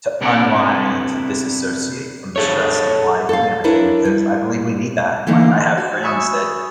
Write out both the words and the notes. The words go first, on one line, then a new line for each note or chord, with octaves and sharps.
to unwind and to disassociate from the stress of life and everything, because I believe we need that, and, like, I have friends that
C3 B3 D4 E4 A4 A#4
G#4 A4 C#5
A4 F5
D4 E4 A#4 B4 C#5
G3
D3 E3 A3 A#3 D#4
F#4
E5 G#5 B5 C#6 D#6 E6